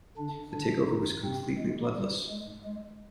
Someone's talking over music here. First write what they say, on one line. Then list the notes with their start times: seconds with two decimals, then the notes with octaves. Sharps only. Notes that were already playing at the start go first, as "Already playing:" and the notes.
The takeover was completely bloodless.
0.18 D3 D4
0.53 D3 D4
0.88 D#3 D#4
1.24 C3 C4
1.59 G#3
1.95 G3
2.30 G#3
2.65 G#3